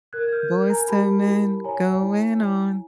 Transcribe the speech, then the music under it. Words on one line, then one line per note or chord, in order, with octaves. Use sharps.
Boyz II Men going on
A#4 F#6 G#6
G#6
F6 G6
A#4
G#5 A#5
G4 A5 B5
E4
C#5 G#5 A#5
E4
E4